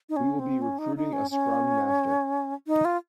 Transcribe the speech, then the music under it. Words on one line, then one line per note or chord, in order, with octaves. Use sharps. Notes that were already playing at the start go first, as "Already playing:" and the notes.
We will be recruiting a scrum master.
D#4
C#4
C4
C#4
D#4
D#4
C#4
C#4
D#4
F4